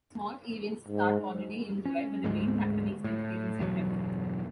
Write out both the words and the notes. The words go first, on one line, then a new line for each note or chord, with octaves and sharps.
Small events start already in July, but the main happenings take place in September.
G#2
C#4
D2 G#2 G#3
A2
G1 E2 B2 F#3